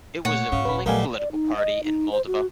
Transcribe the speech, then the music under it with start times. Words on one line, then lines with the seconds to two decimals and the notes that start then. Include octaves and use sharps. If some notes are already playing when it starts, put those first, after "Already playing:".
It was the ruling political party in Moldova.
0.25 A#2 A3 C#5 F#5
0.52 G#2 C#3 C#4
0.65 D#1 B4 B5
0.86 A#1 B2 F#3 G3 A3 A#4 F5 G#5
1.18 D5
1.32 D#4
1.56 D#5
1.83 D#4
2.12 C5
2.27 F#4